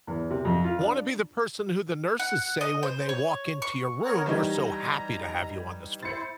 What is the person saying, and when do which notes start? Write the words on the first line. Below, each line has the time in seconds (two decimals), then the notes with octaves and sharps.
Wanna be the person who the nurses say when they walk into your room, "We're so happy to have you on this floor."
0.07 E2
0.30 C3
0.45 F2
0.64 F4
0.80 D4
2.19 F#5
2.61 D#5
2.83 C5
3.09 C#5
3.62 C#6
4.04 B3 A#4 C#5
4.26 E3 G3 D#4
4.50 A#5
6.03 E4 C5 A6 C#7